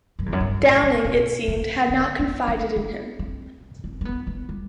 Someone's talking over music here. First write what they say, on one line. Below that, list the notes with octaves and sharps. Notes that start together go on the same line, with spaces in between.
Downing, it seemed, had not confided in him.
F#2
E2
F#2
G2
A2
B2
B2
C3
D3
B3
D4
D4
C4
C4
C4
B3
B3
G3